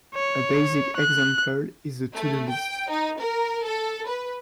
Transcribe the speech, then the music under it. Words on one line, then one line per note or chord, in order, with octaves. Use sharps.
A basic example is the to do list.
C#5
F#6
A3
G5
D#4
A#4
A4
B4